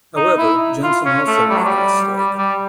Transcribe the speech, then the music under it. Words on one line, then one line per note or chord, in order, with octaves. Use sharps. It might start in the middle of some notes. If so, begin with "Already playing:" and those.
However, Jensen also made a mistake.
D#4
E4
F4
C#4
A3
G3
F#3
G3
G3
G3